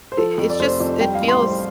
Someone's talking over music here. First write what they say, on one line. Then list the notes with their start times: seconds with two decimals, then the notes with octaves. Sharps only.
i i it's just it feels
0.12 C5
0.17 F3 A4
0.38 F2
0.50 D5
0.59 F1 C5
0.80 F2 D5
1.00 G3 G5
1.15 F5
1.21 A1
1.28 C6
1.42 G3 C5